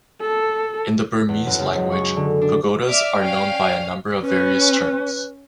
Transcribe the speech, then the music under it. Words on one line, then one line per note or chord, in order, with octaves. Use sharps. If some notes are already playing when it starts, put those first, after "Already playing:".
In the Burmese language, pagodas are known by a number of various terms.
A4
E2
F#2
C#2
C#6
D3
D4
D5 E5 D6 F6
C#4 F5 G5
C#4 B4